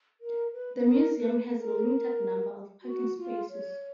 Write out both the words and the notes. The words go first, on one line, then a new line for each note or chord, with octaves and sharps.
The museum has a limited number of parking spaces.
A#4
B4
B4
A#4
B4
A#4
F#4
F4
C#5